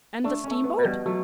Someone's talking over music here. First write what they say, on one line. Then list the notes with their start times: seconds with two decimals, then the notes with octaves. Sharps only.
"And the steamboat?"
0.24 A3 D4
0.44 C#4
0.51 A3
0.64 B3
0.78 B2
0.85 G3
1.06 F#3 A3